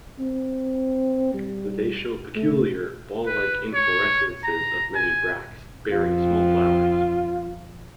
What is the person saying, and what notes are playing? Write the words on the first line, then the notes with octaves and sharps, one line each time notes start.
They show peculiar, ball-like inflorescences of many bracts, bearing small flowers.
C4
G3
A3
B4
C#5
A#5
G#5
F2 F4